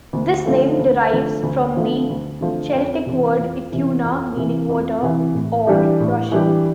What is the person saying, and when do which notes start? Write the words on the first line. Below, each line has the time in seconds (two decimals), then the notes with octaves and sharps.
This name derives from the Celtic word "ituna", meaning "water", or "rushing".
0.13 D2
0.45 D3 F3 A3
0.78 D2
1.11 D3 F3 A3
1.43 D2
1.77 D3 F3 A3
2.09 D2
2.41 D3 F3 A3
2.74 F2
3.06 C3 E3
3.39 F2
3.72 C3 E3
4.04 F2
4.36 C3 E3
4.69 F2
5.02 C3 E3
5.34 A2
5.67 E3 G3 D4 G4
6.00 A2
6.32 E3 G3 D4 G4